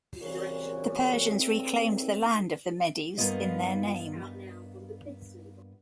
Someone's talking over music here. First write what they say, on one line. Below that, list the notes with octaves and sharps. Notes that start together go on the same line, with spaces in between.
The Persians reclaimed the land of the Medes in their name.
C2 A#2 C#3 E3 C4 F#4
E2 A2 A3 C4
G2 A#3 B3 F4 D#5